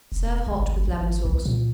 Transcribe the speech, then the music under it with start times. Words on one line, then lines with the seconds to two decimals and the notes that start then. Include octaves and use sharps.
Serve hot with lemon sauce.
0.12 E1
0.47 G1
0.63 G1
0.88 G#1
1.25 C2
1.45 A#2